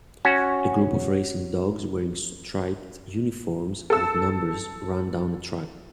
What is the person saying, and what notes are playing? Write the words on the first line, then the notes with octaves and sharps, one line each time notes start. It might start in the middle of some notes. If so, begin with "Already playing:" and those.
A group of racing dogs wearing striped uniforms with numbers run down a track.
C#4 F#4
A4 E6